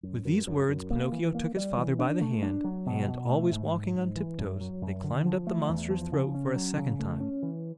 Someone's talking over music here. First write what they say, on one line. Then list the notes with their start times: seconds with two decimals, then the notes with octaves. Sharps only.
With these words Pinocchio took his father by the hand and, always walking on tiptoes, they climbed up the monster's throat for a second time.
0.03 F#2
0.25 F#2
0.47 F#2
0.68 F#2
0.90 A#3
1.12 E3
1.35 A#3
1.56 G3
1.78 E3
1.99 D4
2.21 A3
2.43 D4
2.64 F#3
2.86 B2
3.07 B2
3.29 A3
3.51 G#2
3.74 G#2
3.95 G#2
4.16 E3
4.38 F#2
4.61 F#3
4.82 F#2
5.03 D3
5.25 F3
5.47 A3
5.69 E2
5.90 F3
6.12 C#3
6.35 C#4
6.56 F#3
6.77 C#3
6.99 A3
7.21 C#4
7.43 E3